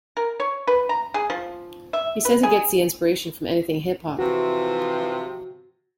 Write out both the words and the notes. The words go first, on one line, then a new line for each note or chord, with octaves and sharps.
He says he gets inspiration from anything hip-hop.
A#4
C#5
B4
A#5
G#4
F3
E5
B4
G#4
C3 E3 F3 F#4